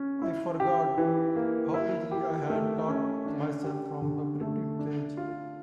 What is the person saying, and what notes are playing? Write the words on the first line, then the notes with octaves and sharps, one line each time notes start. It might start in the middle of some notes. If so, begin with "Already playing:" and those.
I forgot how easily I had taught myself from the printed page.
Already playing: C#4
E4
G4
E3
A#3
E4
G4
A3
C#4
D4
G4
D3
A3
D4
F4